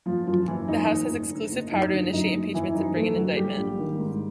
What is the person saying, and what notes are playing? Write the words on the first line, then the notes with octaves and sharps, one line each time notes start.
The House has exclusive power to initiate impeachments and bring an indictment.
F#1 F3 F4
F#2 F3 F4
F#1 E3 E4
F#1 D#4
F#1
F#1
D3
F#1
F#2 D#4
D3
F#2 D#4
F#1
F#1 E3 E4
F#2 D#4
F#1 A3 A4
D3 F#3 F#4
A#1 G3 G4
A#1
D#3
G#2